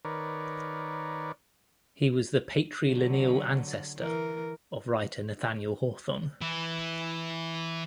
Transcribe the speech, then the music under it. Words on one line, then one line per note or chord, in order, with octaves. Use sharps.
He was the patrilineal ancestor of writer Nathaniel Hawthorne.
D#3 A#4 B4 C#5 D5
D3 F#3
E3 A#4
E3 E4